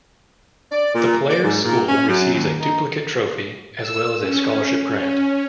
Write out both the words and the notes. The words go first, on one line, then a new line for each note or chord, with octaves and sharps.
The player's school receives a duplicate trophy, as well as a scholarship grant.
D5
A#2
D5
G#2
A#2
C#4
F#2
D#2
D#4
E6
C#4
C#4